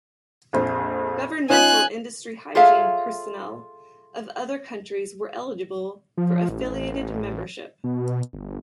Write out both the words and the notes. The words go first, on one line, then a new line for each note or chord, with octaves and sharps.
Governmental industrial hygiene personnel of other countries were eligible for affiliated membership.
A#1 F2 C5
C#4 D#4 F4 G#5 F#6
F4 G#4 A4 C#5 E5 F5
F3
A1
B2
G1